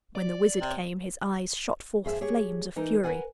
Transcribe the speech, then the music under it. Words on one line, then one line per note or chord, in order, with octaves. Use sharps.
When the wizard came, his eyes shot forth flames of fury.
D5
C3
F2 G#4 E5
G4 G#4 C#5
E3 D#4 A#4
A#4 B4 D5 F5 F#5 G#5